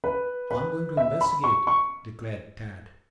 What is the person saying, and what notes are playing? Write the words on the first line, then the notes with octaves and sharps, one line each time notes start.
"I'm going to investigate," declared Tad.
B4
B4
E5
B5
C#6
C#6